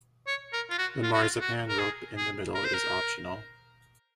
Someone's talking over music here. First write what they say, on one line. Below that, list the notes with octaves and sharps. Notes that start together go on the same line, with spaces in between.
The marzipan rope in the middle is optional.
C#5
A#4
F4
F#4
F4
F#4
F4
F#4
A#4
G#4
G#4
A#4
C5
A#4